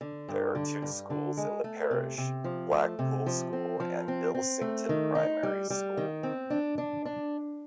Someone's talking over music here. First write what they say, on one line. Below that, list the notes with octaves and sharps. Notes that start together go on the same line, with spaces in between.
There are two schools in the parish: Blackpool School and Ilsington Primary School.
D3
G2
D3
G2
D3
G#3
A3
C3
C3
F3
A3
C3
F3
C4
F3
C4
C4
A3
D#3
D#4
G3
G3
D#3
C4
D4
D4
D4